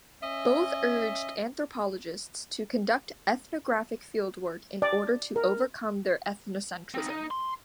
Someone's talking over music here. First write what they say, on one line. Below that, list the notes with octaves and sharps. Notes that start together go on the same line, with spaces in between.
Both urged anthropologists to conduct ethnographic fieldwork in order to overcome their ethnocentrism.
C#4 D#5 E5
D5
A#4
C4 D#4
D#4
C6